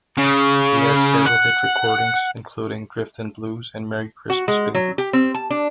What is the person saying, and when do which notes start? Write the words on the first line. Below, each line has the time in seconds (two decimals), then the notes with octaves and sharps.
He had several hit recordings, including "Driftin' Blues" and "Merry Christmas Baby".
0.18 C#3
1.26 F#5
4.30 F#4
4.48 G#3
4.75 F#3
4.98 G4
5.13 C4
5.34 A5
5.50 D4